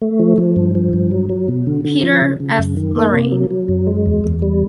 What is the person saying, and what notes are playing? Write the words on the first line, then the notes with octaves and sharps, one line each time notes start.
Petre, F. Loraine.
A3
F3
F3
G2
F3
G2
F#3
F#3
B2
D3
D3
F3
C#3
C#3
F#2
D#3
A#3
C3
F#3
F#3
F#2
G#3
E2
E2
G3